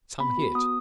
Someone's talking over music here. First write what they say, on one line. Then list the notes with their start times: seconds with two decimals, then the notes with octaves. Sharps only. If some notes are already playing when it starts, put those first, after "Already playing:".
Some hit!
0.20 B3 B5
0.37 F#4
0.55 B3 D#6